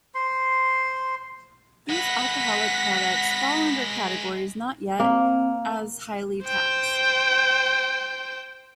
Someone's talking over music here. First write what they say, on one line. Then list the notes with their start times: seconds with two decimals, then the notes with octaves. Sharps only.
These alcoholic products fall under categories not yet as highly taxed.
0.15 C5 C6
1.90 G#3 B4 F#5 A#6 B6
5.00 A#3 C4
6.44 C5 G5